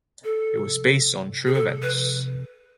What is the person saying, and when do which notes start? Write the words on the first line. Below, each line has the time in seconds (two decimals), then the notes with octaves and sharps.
It was based on true events.
0.24 A4
1.46 G#4
1.54 A4
1.82 B4